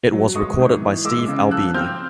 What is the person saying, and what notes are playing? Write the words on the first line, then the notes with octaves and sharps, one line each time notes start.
It was recorded by Steve Albini.
F#3
G#3 C#6 D#6
G#2
E3
G#3 D6 E6
C#3
F3 E6 F#6
C4 F6 G6